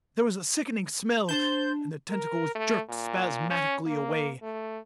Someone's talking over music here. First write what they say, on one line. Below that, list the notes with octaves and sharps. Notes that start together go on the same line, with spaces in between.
There was a sickening smell--and the tentacle was jerked spasmodically away.
D4 C5 A5 G6
A#4
A3
A#2
C#4
A#3
A3